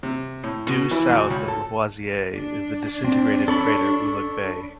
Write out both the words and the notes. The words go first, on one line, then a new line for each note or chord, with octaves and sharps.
Due south of Lavoisier is the disintegrated crater Ulugh Beigh.
C3
A2
B2
E3
D2
C#2
A4
D4
C4
A4 C#5 B5